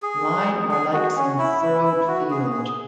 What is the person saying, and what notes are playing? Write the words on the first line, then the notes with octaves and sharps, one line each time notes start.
Mine are like some furrowed field.
G#4
G#4
F#4
C#4
E4
E4
E4
F#4
G#4
G#4